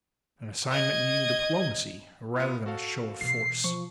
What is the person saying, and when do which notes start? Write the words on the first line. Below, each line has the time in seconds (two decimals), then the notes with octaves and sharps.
An assignment needing diplomacy rather than a show of force.
0.71 D#5 G#6
2.36 B3 F4
2.66 F#4 A4 F5
3.21 B2 E3 C7
3.64 F3 C#6